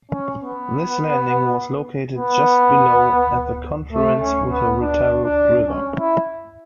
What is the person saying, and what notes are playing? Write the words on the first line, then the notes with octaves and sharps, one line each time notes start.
This landing was located just below at the confluence with the Retaruke River.
C#4
B3
B3
A3
C#4
B3
D4
D4
C#4
E4